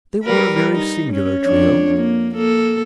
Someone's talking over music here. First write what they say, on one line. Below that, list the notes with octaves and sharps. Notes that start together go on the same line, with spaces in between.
They were a very singular trio.
G3 A#4 B4
D#4
C#4
F2 D4 C#5
A#3
A#3 A4